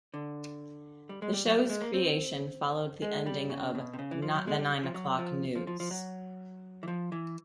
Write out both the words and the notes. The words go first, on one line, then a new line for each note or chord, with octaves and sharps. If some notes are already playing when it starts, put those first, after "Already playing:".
The show's creation followed the ending of "Not the Nine O'Clock News".
D3
G3
G#3
G3
F#3
G3
G#3
A#3
C4
G#3
G3
C#3
B2
C3
C#3
E3
F3
F#3
G#3
G3
F3
F#3
F3
F3
F3
F3
F#3
E3
F3
E3